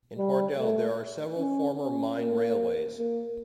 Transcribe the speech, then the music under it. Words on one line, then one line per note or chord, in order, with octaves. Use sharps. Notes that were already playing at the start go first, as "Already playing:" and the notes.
In Hordel there are several former mine railways.
G3
A3
C#4
C#4
A#3
A#3